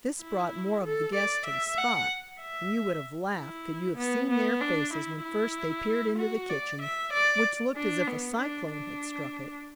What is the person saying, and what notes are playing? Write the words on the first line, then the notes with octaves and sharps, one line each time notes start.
This brought more of the guests to the spot, and you would have laughed could you have seen their faces when first they peered into the kitchen, which looked as if a cyclone had struck it.
E4
A4
D5
E5
F#5
E5
E4
B3
B3
D4
E4
E4
F#4
D5
E5
D5
D4
B3
D4
D4